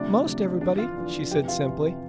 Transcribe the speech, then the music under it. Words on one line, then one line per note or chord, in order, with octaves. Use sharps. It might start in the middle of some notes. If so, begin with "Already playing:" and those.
"Most everybody," she said simply.
Already playing: D2 C3 F3 D4 D5
D2 C3 F3
E2 D3 F3 D4 D5
F4 F5
E2 D3 F3
F2 C3 E3 G4 G5
F4 F5
F2 C3 E3